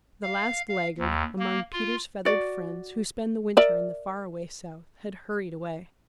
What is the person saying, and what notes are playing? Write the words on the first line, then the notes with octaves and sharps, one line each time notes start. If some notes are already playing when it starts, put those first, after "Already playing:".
The last laggard among Peter's feathered friends who spend the winter in the far-away South had hurried away.
F5
F5
D#2
A#3
F4
F#4 D5
A#4 D5 E5